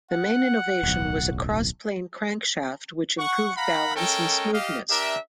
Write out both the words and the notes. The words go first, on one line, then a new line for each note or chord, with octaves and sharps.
The main innovation was a cross-plane crankshaft which improved balance and smoothness.
F#5
D1 B1
F#5 C#6
F5 F#5 A#5 B5
G#3 C#4 A4 A#4 G5
G4 D#5 F5
D4 G4 A#4 E5